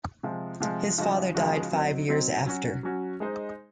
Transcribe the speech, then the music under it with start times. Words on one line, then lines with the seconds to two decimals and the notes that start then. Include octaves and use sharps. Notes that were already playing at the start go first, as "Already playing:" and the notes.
His father died five years after.
0.23 C3 F3 G#3
0.60 C3 F3 G#3
0.98 C#3 F3 G#3 D#4 F#4
1.35 C#3 F3 G#3 D#4 F#4
1.72 F#3 C4 D#4
2.09 F#3 C4 D#4
2.46 F#3 C#4 F#4
2.83 F#3 C#4 F#4
3.20 G#3 D#4 G#4 C5 D#5